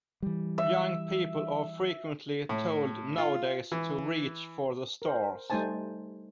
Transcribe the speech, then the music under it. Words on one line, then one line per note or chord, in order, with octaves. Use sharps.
Young people are frequently told nowadays to reach for the stars.
E3 G3
E5
A2
F4
E3
A#4 C5
G3 A3 D#4 C5 G#5 A5